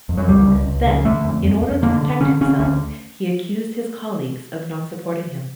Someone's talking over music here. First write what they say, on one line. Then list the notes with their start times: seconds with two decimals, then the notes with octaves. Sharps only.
Then, in order to protect himself, he accused his colleagues of not supporting him.
0.09 F2
0.17 F#3
0.29 C#2 G3
0.47 C#2
0.67 C#2
0.86 C#3
1.05 D3 A3
1.25 F2
1.45 F2
1.63 F2
1.82 D3 A#3
2.03 D3
2.21 D3 C#4
2.41 D3 C#4
2.60 D2 C#4